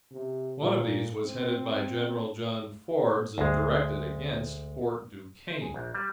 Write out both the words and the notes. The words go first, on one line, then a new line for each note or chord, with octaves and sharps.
One of these was headed by General John Forbes, and directed against Fort Duquesne.
C3
A#2
C4
D2 G#3
C5
G#4
A#1
G3